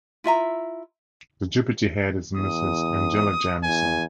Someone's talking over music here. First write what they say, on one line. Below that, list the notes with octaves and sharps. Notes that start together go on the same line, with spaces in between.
The Depute Head is Mrs Angela Jamieson.
E4 F4 E5 A#5
E2 D#6
E2 G#5